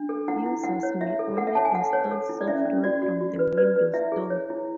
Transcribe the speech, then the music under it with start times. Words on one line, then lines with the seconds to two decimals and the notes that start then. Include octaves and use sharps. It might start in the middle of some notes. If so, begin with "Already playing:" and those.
Users may only install software from the Windows Store.
Already playing: D4
0.09 A4
0.28 E4 F#5
0.46 E4
0.64 E4 F#5
0.83 C#5
1.01 E4 E5
1.19 A4
1.37 A4 F#5
1.47 E5
1.55 C#5 A5
1.65 G#5
1.75 A4 F#5
1.93 C#5
2.11 A4
2.29 E4
2.41 D5
2.48 C#4 E5
2.65 C#4
2.84 F#4 D5
3.02 F#4
3.21 F#4
3.39 B4
3.57 B4 D5
3.76 B4
3.94 E4 E5
4.12 G#4
4.30 C#5
4.50 E4